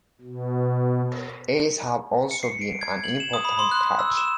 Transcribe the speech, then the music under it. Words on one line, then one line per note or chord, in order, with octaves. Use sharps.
Eels have also been an important catch.
B2
C#7
C7
D7
G#6
F#7
E7
D#6
B5
C6
F#6
E6
E7